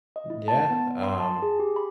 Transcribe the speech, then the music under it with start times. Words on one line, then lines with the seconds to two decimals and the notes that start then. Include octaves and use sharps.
Yeah, um,
0.16 D#5
0.30 E4
0.48 A5
0.71 B3
1.04 C6
1.20 A5
1.42 G#4
1.59 G4
1.76 B5